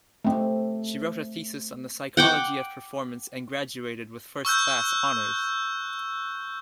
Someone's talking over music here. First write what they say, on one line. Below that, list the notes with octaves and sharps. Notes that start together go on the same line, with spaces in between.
She wrote a thesis on the psychology of performance and graduated with first-class honors.
A3 C4
F#5 G5 D6
C#6 E6 F#6 G6